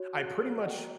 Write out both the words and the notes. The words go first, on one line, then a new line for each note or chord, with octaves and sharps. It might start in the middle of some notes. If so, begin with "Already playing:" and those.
I pretty much
Already playing: F#4 C#5
F#6
F#5
G5
A#5